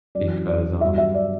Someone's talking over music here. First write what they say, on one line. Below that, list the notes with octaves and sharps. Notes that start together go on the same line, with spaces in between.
because, um,
F#2 E3 D5
D5
G2 F#3 E5
E5
D5